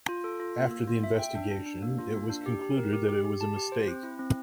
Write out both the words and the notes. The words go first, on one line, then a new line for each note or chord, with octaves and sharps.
After the investigation, it was concluded that it was a mistake.
F4
A4
F4
A#3
A#3
F4
E5
G5
D4
D4
D4
A#3
F4
A#3
D4
G4
G4
A#4
G4
G4
G4
A5
G4
C5
C4
E4
C4